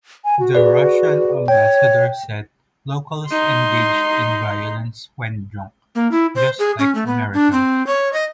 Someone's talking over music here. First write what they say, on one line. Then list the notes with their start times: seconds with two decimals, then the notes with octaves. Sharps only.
The Russian Ambassador said locals engaged in violence when drunk, just like Americans.
0.25 G#5
0.40 F#4
0.55 G#4 B4 D5
1.48 C#5 G5
3.29 D#4 C6
5.95 A#3
6.12 E4
6.35 C5
6.59 G#4
6.79 C#4
6.95 A3
7.07 B3
7.34 D4
7.52 C4
7.87 C#5
8.13 D#5